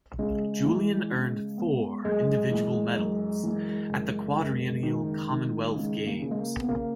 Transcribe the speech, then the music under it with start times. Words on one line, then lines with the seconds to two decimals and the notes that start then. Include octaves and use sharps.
Julien earned four individual medals at the quadrennial Commonwealth Games.
0.18 C#3 G#3
0.65 E3
1.11 C#3
1.58 B3
2.04 F#2 G#3
2.51 E3
2.97 F#2
3.43 E3
3.90 F#1
4.36 F#1
4.83 D#3
5.29 D#3
5.76 C#3 G#3
6.07 A#3
6.22 C#3
6.31 G#3
6.38 A#3
6.59 B3
6.68 C#3 A#3